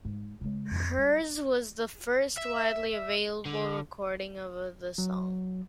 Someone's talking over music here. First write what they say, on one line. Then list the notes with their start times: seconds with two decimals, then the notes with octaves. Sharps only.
Hers was the first widely available recording of the song.
0.05 G#2
0.41 C#3 G#3
0.71 F2
0.98 G3
2.38 E5
3.45 D3
4.98 F#3